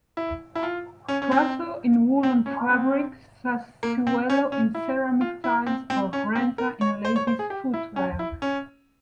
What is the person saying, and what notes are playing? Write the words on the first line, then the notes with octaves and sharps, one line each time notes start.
Prato in woollen fabric, Sassuolo in ceramic tiles or Brenta in ladies' footwear.
E4
E4
F4
C#4
C#4
C4
C4
C#4
C4
A#3
C4
C#4
C#4
E4
F4
E4
C4
C4
C#4
C4
A#4
C#5
C5
C#5
C5
G#4
G4
E4
C#4
E4
C#4